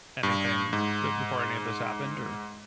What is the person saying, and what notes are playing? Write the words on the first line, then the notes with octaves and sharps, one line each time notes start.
anything b before any of this happened or
G2
G#2